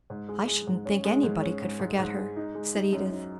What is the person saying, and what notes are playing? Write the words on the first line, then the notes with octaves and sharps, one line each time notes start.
"I shouldn't think anybody could forget her," said Edith.
G#2
G#3
G#3
G#2
C#4
G#3
G#2
C#4
G#2
G#2
G#2
G#3
D#4
G#3
D#4
F#2
D#4